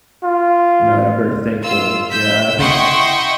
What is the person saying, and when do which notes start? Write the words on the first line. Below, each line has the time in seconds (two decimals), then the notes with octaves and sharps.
you know, and I'm very thankful. Yeah. I think
0.24 F4
1.63 F4 E6
2.10 E6 G6 B6
2.58 E4 D#5 F#5 G5 C6 C#6